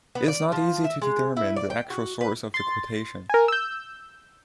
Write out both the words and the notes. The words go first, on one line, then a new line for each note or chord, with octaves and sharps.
It is not easy to determine the actual source of the quotation.
B3
D5
F3
E5
G#3
E4
D5
G5
F#4
B4
C6 A6
A#4 G#5
E6 G6